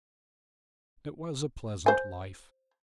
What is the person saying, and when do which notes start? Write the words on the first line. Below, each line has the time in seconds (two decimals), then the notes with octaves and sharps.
It was a pleasant life.
1.86 C5 G#5